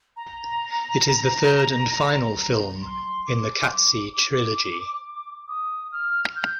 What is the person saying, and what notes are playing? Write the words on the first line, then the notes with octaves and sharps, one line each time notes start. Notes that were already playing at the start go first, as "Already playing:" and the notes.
It is the third and final film in the Qatsi trilogy.
A#5
C6
D6
C6
D6
D#6
F6
G6